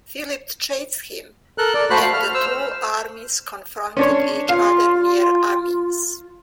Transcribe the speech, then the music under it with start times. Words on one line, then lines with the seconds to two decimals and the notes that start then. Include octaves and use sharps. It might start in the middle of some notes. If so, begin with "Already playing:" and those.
Philip chased him, and the two armies confronted each other near Amiens.
1.58 A4 A#4 F#6
1.74 D5
1.90 A3 F#4 C5 B5 F#6
2.02 F5
2.14 F6
2.34 C5 E6
3.97 C#4 D4 C#5
4.49 F4 F5